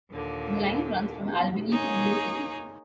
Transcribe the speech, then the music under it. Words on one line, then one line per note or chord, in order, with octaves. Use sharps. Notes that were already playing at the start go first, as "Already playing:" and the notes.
The line runs from Albany to Mill City.
D#2 A#2 D3
A#3 D#4 G#4 C#5